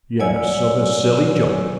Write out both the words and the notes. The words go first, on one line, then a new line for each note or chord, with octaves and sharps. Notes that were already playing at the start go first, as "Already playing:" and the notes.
"Yes, of a silly joke."
F#3 C#5 D5 G#5 E6